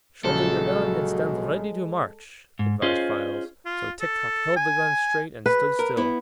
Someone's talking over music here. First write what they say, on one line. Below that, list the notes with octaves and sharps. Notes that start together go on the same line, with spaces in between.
"Shoulder your gun and stand ready to march," advised Files; so Tik-Tok held the gun straight and stood still.
A#1 C#3 F#3 G#3 A4
G#2
C#4 F4 G#4 C5 D#5
F4
A4
G#5
B4
A#4
B3 E4